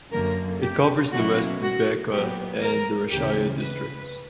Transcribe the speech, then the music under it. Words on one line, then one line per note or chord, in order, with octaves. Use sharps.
It covers the West Bekaa and the Rashaya districts.
F#2 D3 A#3 A#4
G4
B2 F#3 A#3 C#4 E4 F#4
F#4
A#2 F#3 B3 G4
A#4
D2 C#3 E3 G4
B4